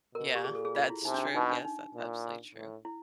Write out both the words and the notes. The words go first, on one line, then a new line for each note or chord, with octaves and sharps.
Yeah, that's true. Yes, that's absolutely true.
B2 A#4
G4
A#2 G#4
A4
G#4
F4
E4
C3 D#4
D4
D4
B2 D#4
D4
D#4
A#2
A2
E4